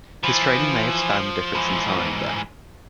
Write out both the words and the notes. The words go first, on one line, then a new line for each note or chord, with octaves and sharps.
His training may have spanned the difference in time, though.
E3 F3
G#2 E3